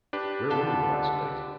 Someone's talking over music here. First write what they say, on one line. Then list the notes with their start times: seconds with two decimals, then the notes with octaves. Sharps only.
Where were you last night?
0.13 D4 G4 B4
0.50 D3 F4 A4